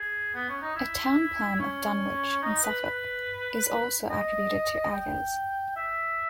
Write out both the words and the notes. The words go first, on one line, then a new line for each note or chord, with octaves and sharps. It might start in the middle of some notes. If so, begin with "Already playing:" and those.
A town plan of Dunwich in Suffolk is also attributed to Agas.
Already playing: G#4
B3
C#4
D#4
E4
C#4
D#4
B4
B4
B4
D#5
G5
E5